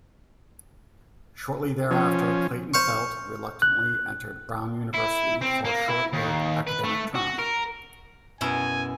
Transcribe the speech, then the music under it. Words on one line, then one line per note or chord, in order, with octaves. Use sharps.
Shortly thereafter, Clayton-Felt reluctantly entered Brown University for a short-lived academic term.
F3 C#4
C5 F5 C#6
F#6
E4
C4
A#3
E4
D#2
B4
A3
F#4
A#4
F#2 B2 E4 G#5